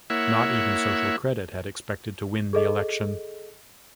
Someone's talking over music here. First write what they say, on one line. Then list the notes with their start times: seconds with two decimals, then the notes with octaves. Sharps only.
Not even Social Credit had expected to win the election.
0.10 A#3 E4 C#5 E5 F#5
2.53 G#4 A4 D#5